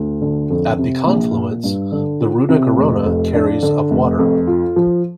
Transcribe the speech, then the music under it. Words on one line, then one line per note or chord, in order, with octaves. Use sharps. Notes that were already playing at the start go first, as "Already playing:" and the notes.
At the confluence, the Ruda-Garona carries of water.
Already playing: D2
D3
F2
C3
A#1
A#2
G2
D3
F4
C3
F1
F2
D4
D3
F1
F2
F4
F3